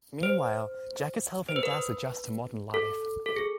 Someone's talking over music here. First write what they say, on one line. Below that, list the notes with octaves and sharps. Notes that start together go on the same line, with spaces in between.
Meanwhile, Jack is helping Das adjust to modern life.
C5
C5
B4
A#4
B4
A4
A4
G#4